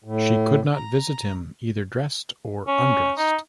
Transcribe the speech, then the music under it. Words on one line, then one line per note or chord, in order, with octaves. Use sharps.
She could not visit him either dressed or undressed.
A2
A#5
C#4
D#4